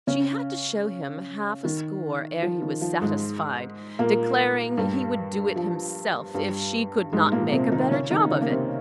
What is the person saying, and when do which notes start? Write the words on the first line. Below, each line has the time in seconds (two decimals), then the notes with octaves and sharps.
She had to show him half a score ere he was satisfied, declaring he would do it himself, if she could not make a better job of it.
0.07 C#3 C#4
1.65 D#3
2.42 F3
2.62 D#3
2.81 F3
3.02 G#2 G#3
3.99 A#2 A#3
4.77 G2 G3
5.56 F3
6.34 G2 G3
7.13 G#2 G#3
7.32 A#2 A#3
7.52 C3 C4
7.72 D#3 D#4
7.91 C#3 C#4
8.10 D#3 D#4
8.31 C#3 C#4
8.42 A#3
8.50 C3 C4